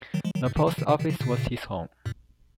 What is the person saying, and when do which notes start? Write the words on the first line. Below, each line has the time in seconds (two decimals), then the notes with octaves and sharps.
The post office was his home.
0.14 D#3 F#3
0.25 F3 G#3
0.35 D#3 F#3
0.46 G#2 C3
0.57 C3 D#3
0.67 C#3 F3
0.78 C3 D#3
0.89 C3 D#3
0.99 C3 D#3
1.10 C#3 F3
1.21 A#2 C#3
2.06 F#2 A#2